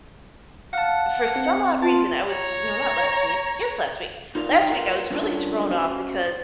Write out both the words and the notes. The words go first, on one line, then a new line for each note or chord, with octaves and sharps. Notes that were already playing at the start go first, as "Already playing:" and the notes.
for some odd reason, I was no, not last week yes, last week. Last week, I was really thrown off, because
F5 F#5 A5
C4
F4 A5
C#5 A#5
D#4 F4 A#4 D5 F5
D#4 G5 A#5
F4 G#4 A#4 B4 F5 F#5
G3 C#4 D4 F4 A#4 C#5
C#4 F#4 C5 D#5